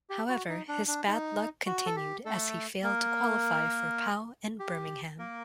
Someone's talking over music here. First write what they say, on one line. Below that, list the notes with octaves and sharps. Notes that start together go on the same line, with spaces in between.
However, his bad luck continued as he failed to qualify for Pau and Birmingham.
G4
F#4
D#4
D4
D4
D#4
F#4
A4
G4
A3 A4
A#3 A#4
G4
A#3 A#4